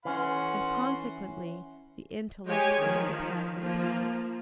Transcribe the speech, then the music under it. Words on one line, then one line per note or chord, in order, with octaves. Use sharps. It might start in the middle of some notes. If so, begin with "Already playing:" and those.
And consequently the intellect is a passive power.
E3 C#4 F#5 C6
G#3 G4 C#5 G#5
D#3 F3
F3 A#3